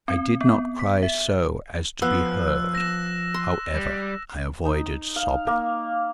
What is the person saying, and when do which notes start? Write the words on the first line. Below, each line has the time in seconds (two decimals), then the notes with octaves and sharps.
I did not cry so as to be heard, however; I avoided sobbing.
0.08 C4
0.41 B3
0.79 B6
1.03 E5
2.02 F3 B3 E6 F#6
2.75 A#6 E7
3.34 C6
3.74 G3
4.65 D#4
5.16 F5
5.47 A#3